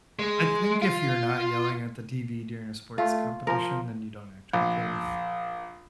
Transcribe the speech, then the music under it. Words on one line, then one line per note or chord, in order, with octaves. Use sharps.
I think if you're not yelling at the TV during a sports competition, then you don't actually care.
G#3
F4
A3 F4
F3 A#4
A#1